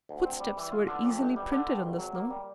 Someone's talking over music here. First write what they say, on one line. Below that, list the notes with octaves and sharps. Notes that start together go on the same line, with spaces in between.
Footsteps were easily printed on the snow!
D2
C4
G3
E3
F4
D3
F2
G1
G3
D3
G2
G#1
F#3
A#3
G3